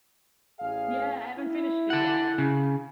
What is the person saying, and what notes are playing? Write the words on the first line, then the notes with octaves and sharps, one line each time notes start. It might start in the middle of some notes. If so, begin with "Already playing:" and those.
Yeah, I haven't finished it yet,
A1 G#4 F5
E4
A4 F#5
C#3